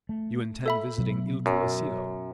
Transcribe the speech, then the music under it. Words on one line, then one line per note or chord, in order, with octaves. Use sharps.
"You intend visiting Il Colosseo."
A3
A4 E5 B5
B2 F#3 B3
F#2